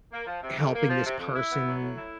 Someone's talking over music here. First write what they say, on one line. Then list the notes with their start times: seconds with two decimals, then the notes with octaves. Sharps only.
helping this person
0.12 A#3
0.27 F3
0.42 C3
0.58 F2
0.74 A#3
0.89 F3
1.05 C3
1.19 F2
1.35 E4
1.51 B3
1.67 F#3
1.82 A2
1.97 E4